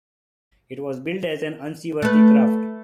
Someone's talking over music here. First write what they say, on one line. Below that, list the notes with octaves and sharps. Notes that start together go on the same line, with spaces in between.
It was billed as an unseaworthy craft.
A3 B4